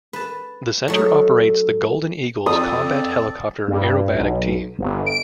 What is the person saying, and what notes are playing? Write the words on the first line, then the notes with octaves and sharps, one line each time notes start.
The center operates the "Golden Eagles" combat helicopter aerobatic team.
B4 A5
F#3 A3 D#4
F2 C4 A4 D5 D#6
G2
B1
G1
D7